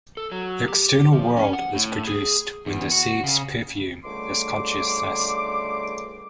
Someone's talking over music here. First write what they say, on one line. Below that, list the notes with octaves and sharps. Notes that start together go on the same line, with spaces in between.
The external world is produced when the seeds "perfume" this consciousness.
A4
F#3
G4
F3
C#4
F#5
A2
G#4
E2
F#4
C#3
C#2 D3 G3 A3 C6 D6